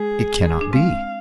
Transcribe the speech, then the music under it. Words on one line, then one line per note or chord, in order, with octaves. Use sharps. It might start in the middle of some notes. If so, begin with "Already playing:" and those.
"It cannot be!"
Already playing: G#3 G#4
D4
G#3 C4 F5